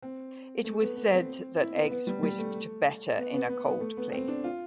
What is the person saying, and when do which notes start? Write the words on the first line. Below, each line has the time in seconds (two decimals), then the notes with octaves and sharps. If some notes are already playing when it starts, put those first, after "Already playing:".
It was said that eggs whisked better in a cold place.
0.02 C4
0.64 A3
0.81 B3
0.97 B3
1.12 C4
1.60 E4
1.75 B3
1.91 B3
2.07 G3
2.23 G3
2.39 A3
3.18 B3
3.34 B3
3.49 B3
3.66 B3
3.80 A3
3.97 B3
4.13 C4
4.28 D4
4.44 F4